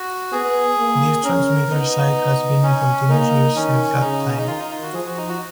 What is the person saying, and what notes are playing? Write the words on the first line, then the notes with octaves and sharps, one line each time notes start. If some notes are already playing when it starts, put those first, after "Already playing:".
This transmitter site has been in continuous use since that time.
Already playing: F#4
B3 G#4
A#3
C#4 A#4
B3 D#4
C#4
A#3 D#4
D#3 C#4
C#3 D#4
C#4
D#4
D#3 F4
D#4
F4
F#4
F3 G#4
F#4
D#4
F#4